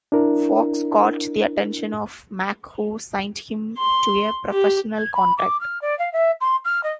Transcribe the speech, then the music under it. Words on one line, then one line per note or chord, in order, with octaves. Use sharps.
Fox caught the attention of Mack who signed him to a professional contract.
D4 E4 A#4
C6
G4
G#6
B5
D6
F6
D5
F5
E5
C6
F6
D#5